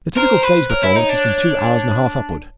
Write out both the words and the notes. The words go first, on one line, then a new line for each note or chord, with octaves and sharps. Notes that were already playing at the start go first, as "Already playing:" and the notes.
The typical stage performance is from two hours and a half upward.
A#4 C5
B4
A#4 C#5
E4
D#4
D4